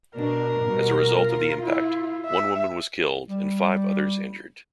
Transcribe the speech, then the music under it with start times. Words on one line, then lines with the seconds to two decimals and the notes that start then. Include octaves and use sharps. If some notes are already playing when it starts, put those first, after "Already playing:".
As a result of the impact, one woman was killed and five others injured.
0.16 B2 D4 A#4
0.65 B2 G3
1.21 F4
1.63 E4
2.26 E5
3.28 G3